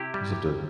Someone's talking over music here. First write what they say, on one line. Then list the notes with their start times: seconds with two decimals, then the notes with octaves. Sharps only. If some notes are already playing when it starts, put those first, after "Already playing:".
You just have to
Already playing: C3 E4 G4
0.14 G3